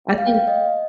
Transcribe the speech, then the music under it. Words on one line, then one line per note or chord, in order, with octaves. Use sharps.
I think
F5
G5
F5
D#5